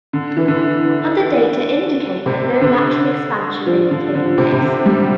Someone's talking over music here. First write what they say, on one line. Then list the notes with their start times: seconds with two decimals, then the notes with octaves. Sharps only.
Other data indicate that no lateral expansion may be taking place.
0.13 D3
0.37 E3
0.48 D3
2.26 C3
2.61 D3
3.67 F3
3.91 D3
4.15 D3
4.38 C3
4.52 C3
4.62 D3
4.86 G3